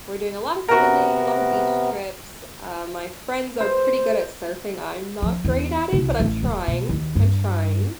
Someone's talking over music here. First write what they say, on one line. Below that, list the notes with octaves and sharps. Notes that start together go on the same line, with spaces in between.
we're doing a lotta swimming, a lotta beach trips, um, my friends are pretty good at surfing, I'm not great at it, but I'm trying. I'm trying.
C3 B3 F#4 A#4
C5
F3
E2
C2
A1
D#1
B2
D#2
G2